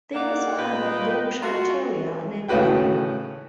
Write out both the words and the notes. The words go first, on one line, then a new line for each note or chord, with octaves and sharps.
They also have a Yorkshire Terrier named Varia.
A#3 D#4 D5 F#5
A#2 F4 B4 D#5 G5
F4 F#4
A2 C#3 A3 F#4 B4 G5